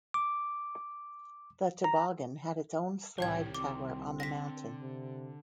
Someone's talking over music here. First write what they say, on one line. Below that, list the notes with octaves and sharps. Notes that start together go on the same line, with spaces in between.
The Toboggan had its own slide tower on the mountain.
D6
A#5
C2 A2 D#3 G3 C#5 G5 G#6
C4 D6
D3 A#6 B6
C3